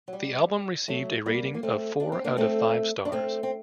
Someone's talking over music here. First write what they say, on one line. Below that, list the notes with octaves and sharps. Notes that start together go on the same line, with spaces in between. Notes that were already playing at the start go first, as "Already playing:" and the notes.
The album received a rating of four out of five stars.
F#3
G3
F#3 A3
G3 A#3
A#3
A3 C4
D4
C4
A#3 D4
A3 C4
D4
A3 C4
C4